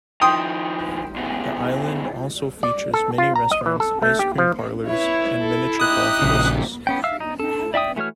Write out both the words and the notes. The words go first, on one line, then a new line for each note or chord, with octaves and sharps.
The island also features many restaurants, ice cream parlors, and miniature golf courses.
D#3 F3 G5 C6 D#6
D2 B2
D5
A4
F4
A#5
D#5
E3
A4
A3
G4
F3
E4 B4 C#5
A4
D#4 G4 D#6 F#6
A#1 C#3
B3 C#4 G5
E5 F5 E6
D#4
A4
D5 E5 G5 D#6
E3 A3 F#4 C#5 F6